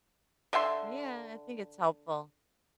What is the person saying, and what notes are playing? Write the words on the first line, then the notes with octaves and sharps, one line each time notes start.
Yeah, I think it's helpful.
D3 E5 G5 C6